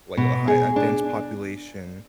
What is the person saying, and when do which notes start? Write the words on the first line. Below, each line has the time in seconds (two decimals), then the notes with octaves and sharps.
like, a high a dense population,
0.17 B2
0.48 G#4
0.76 D4